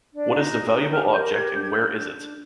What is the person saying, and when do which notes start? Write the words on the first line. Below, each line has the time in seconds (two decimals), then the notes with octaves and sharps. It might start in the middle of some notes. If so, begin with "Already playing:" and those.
What is the valuable object and where is it?
0.11 D4
0.31 D#4
0.52 G#4
0.73 D#4
0.92 G4 F6
1.13 A#4 G6
1.33 G4 G#6
1.54 D4 G6
1.62 G#6
1.70 G6
1.75 D4
1.96 D4
2.16 D4